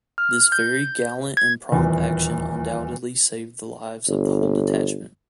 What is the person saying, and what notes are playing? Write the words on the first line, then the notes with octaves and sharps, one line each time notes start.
This very gallant and prompt action undoubtedly saved the lives of the whole detachment.
F6
G6
G#6
D#1 E2
G1